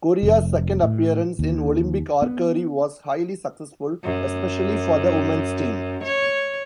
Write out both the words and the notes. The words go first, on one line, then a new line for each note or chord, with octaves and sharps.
Korea's second appearance in Olympic archery was highly successful, especially for the women's team.
F1
A2
D#2
B3
F#2
C#5